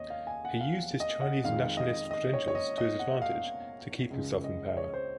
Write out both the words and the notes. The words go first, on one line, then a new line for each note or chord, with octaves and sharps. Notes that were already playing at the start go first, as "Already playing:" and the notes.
He used his Chinese nationalist credentials to his advantage to keep himself in power.
Already playing: D#2 C#5 D#5
F5
G#5
F#5
F5
D#5
F#5
F2 D#3 G#3 F5
D#5
D#5
C#5
C#5
D#5
D#5
F#5
F5
C#2 C#3 G#3
D#5
C#5
C5